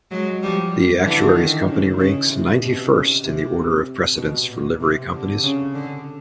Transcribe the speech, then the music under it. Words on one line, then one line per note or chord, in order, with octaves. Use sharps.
The Actuaries' Company ranks ninety-first in the order of precedence for Livery Companies.
F#3 G#3
F3 G3
D3 E3
D#3
C#3
C#3
C3
B2
C#3
C3
B2
A#2
C3
D3
C#3
D3